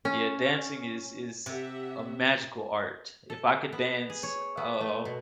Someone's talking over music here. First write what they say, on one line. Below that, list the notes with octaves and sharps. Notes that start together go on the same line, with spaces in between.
Yeah, dancing is is a magical art, if I could dance oh,
C#4
C3 G4 E5 F#5
A4
B3
G#4
C#5
B3
A3
B2